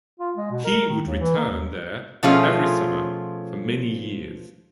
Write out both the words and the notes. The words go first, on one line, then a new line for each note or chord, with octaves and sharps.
He would return there every summer for many years.
F4
G#3
B2
A#4
D#3
D#2
E3
A#3
D#2
B2 F3 A3 C#4 F4 G#4